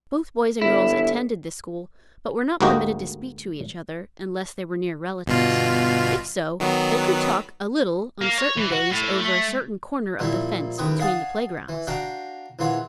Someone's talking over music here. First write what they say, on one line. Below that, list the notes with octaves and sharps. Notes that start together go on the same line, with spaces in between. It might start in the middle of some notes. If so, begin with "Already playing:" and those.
Both boys and girls attended this school, but were not permitted to speak to each other unless they were near relatives; if so, they could talk a little on certain days over a certain corner of the fence, between the playgrounds!
G1 E4
D2 G#2 A#3 F#4 G4 D#5
G1 B2 F4
D#3 F#3 B3
A#3
C#5
E3
F#4
A2
A3
A#2 F3 G3 A#3 E4
A1 D#2 B4 G5 C#6 D#6
C#5 F5 F#5 G#5 A5 D#6
E3
D4 F#4 F5 G5 A#5
A#1 E3 F4 C#5 F#5